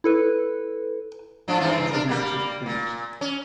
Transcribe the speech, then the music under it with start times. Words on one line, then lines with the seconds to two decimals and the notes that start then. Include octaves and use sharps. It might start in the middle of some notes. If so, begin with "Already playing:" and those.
It is out of print.
0.04 E4 A4 B4
1.48 G#2 F3 D4
1.60 G2 E3 C4
1.90 D4 A#4
2.09 G3 A#3
2.66 A#2
3.21 C#4